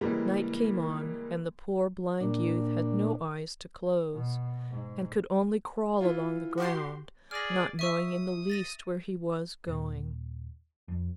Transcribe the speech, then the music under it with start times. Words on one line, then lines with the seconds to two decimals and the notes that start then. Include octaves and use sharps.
Night came on, and the poor blind youth had no eyes to close, and could only crawl along the ground, not knowing in the least where he was going.
0.01 C#3 E3 G3 G#3 A#3
2.21 A#2 D4
4.12 B2
4.69 G#2
6.01 E3 F4
6.58 F#4 G4 C6
7.31 G#4 D5 F6 A#6
7.79 E5 C#6 D#6 E6
8.50 A6 A#6 D#7
9.67 D#1
10.88 F2